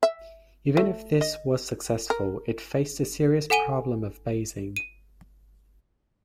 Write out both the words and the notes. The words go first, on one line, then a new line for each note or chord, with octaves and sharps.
Even if this was successful it faced the serious problem of basing.
E5
A3
D#5
A#4
A4 F#5 G#5 D#7 G7
D#7